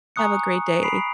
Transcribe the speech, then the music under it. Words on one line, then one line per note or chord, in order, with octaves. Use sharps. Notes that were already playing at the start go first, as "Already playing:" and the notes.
have a great day
G#5 A#5 C#6 D#6 F#6 C#7
B5 D#6 B6 C7 D7 F7